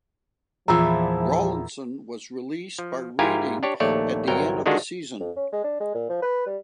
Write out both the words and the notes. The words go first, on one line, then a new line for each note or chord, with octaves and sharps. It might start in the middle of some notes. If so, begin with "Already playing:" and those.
Rollinson was released by Reading at the end of the season.
E2 A#2 F3 E4 F4 G#4 A#5 E6
F3
G#2 E4 F4 G4 A#4 G#5
D4 G4 C#5
A#1 D#2 A3 C#5 D5
G1 C2 F#3 A#4 G5
D3 D#3 G#3 D4 F4 F#4
F2
C#4
G#3
D4
G#3
A#2
F3
B4
G3